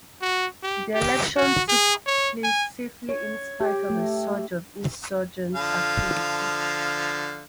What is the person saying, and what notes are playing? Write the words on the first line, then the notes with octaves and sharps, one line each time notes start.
The election took place safely in spite of a surge of insurgent activity.
F#4
G4
G4
F#4
G#4
C#5
G#5
C#5
G4
A3
D3 F3 F5